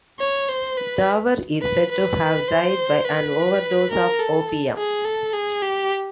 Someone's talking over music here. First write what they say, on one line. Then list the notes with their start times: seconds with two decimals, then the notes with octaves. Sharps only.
Davar is said to have died by an overdose of opium.
0.20 C#5
0.49 C5
0.77 B4
1.62 B4
1.91 B4
2.48 C5
3.05 B4
3.91 A#4
4.20 A4
4.77 G#4
5.05 A4
5.34 G#4
5.62 G4